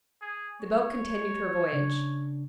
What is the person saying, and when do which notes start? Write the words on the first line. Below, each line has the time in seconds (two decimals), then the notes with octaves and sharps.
The boat continued her voyage.
0.22 G#4
0.61 C#5
1.73 C#3 D4